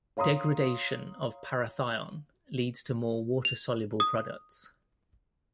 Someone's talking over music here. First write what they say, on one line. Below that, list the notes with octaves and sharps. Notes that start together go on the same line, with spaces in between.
Degradation of parathion leads to more water-soluble products.
C#5 F5 A#5 C6 D#6
F7
D#6